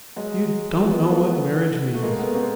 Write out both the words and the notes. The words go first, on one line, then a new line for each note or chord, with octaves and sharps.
"You don't know what marriage means!"
F#3 G#3
A3
F#3 G#3
B3
G#3 A#3
A3 B3
A3
G#3 A#3
A3 B3
A#3 C4